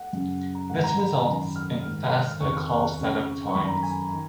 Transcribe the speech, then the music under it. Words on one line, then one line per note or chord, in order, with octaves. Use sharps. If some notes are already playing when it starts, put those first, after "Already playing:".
This results in faster call setup times.
Already playing: F#5
F#2 C#3
A#5
G#2 D#3 F#5
A#5
B5
F#2 D#3
F6
G#2 D#3
F#6
F6
F2 D#3 C#6
F2 C#3
C#6
F#2 D#3 B5
A#5
G#5
D#3